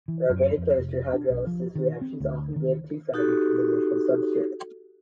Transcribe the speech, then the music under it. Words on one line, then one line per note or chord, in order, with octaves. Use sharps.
In organic chemistry, hydrolysis reactions often give two fragments from an initial substrate.
E3
F#2
F2
F1
D4
B1
F3
D#3
C4
D2
D#3
D#4 F#4 G4 A4